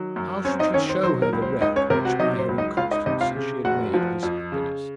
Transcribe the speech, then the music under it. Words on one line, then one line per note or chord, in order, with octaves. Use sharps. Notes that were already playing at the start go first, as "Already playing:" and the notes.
How should he show her the wreck which by her inconstancy she had made of his happiness?
Already playing: D#3 F#3
F#2
C4 C#4 C#5
D#4 D#5
D#3 C#4 C#5
C5
F#3 C5
A#4
C#2
C5
C#2 D#4 D#5
C#4 C#5
C3 A#4
F#4 F#5
F#3 D#4 D#5
C5
C#2
D#4 D#5
C#2 F4 F5
D#4 D#5
C3 D#4 D#5
F4 F5
C#3
F1 F#4 F#5
F3
F2
C#3